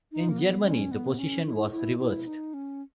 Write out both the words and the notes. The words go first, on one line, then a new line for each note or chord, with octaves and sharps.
In Germany the position was reversed.
D#4
A#3
B3
C#4
B3
C#4
E4
E4
E4
D#4
C#4